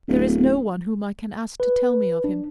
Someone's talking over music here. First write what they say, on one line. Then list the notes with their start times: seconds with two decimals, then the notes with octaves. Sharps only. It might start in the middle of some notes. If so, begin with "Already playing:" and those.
There is no one whom I can ask to tell me of him.
0.08 D1
1.60 B4
2.24 D4